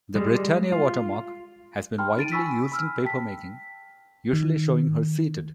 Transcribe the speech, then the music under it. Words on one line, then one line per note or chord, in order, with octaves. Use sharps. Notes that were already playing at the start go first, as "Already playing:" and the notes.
The Britannia watermark has been widely used in papermaking, usually showing her seated.
G3 G#3
F4
G5 A5 B5 C6 F6
D#4 A6 D7 D#7
G#5 B5 C#6 E6 B6
B5 E6 F6
G5 A5 B6
D#3